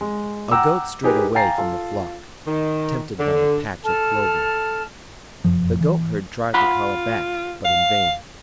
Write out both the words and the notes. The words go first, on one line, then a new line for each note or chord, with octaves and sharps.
A Goat strayed away from the flock, tempted by a patch of clover. The Goatherd tried to call it back, but in vain.
G#3
F#5 G5 A#5 D6 E6
D#4 G4 G#4 A#4 B4
F5 G5 G#5 A#5 A6 C7
F4 A4
D#3
D3
A4 A5 F6
F1 F#2 F3
E3
F4 F#5 B5 C6
F5